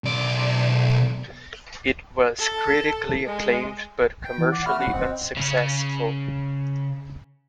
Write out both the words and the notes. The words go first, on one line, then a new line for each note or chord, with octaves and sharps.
It was critically acclaimed but commercially unsuccessful.
B1 D5
A4
G#3
G5
E3
D5 F#5
A3 F#4 B5 F6
C#4 F#5
C4 D#5
C#3 C#4